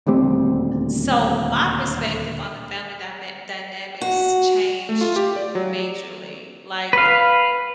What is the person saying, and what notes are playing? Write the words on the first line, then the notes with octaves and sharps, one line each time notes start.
So my perspective on the family dyma dynanamics changed majorly, like
D#1 D2 G3 C4
F#4
A3
F4
G4
D5
F#3
B4 F5